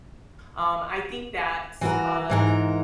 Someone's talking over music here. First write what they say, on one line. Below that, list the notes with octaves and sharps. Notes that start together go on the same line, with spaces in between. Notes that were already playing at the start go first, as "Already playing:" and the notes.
Um, I think that's uh,
E3 F#4 A#4
G#2 E3 A#4